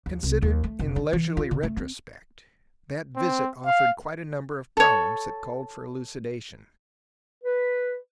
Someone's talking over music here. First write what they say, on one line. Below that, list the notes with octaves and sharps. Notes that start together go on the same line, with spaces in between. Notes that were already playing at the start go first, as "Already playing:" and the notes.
Considered in leisurely retrospect, that visit offered quite a number of problems that called for elucidation.
D#2
C2
D#2
A3
F1
D#4
E3
F4
D3
A3
C4
C4
F5
A4 C#5
B4